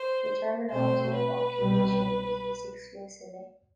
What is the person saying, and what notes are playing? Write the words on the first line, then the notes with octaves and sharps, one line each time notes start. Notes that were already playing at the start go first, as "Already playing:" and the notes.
The terminology of "occupation" is used exclusively.
Already playing: C5
B2 A3 C4 C5
B4
C2 B2 G3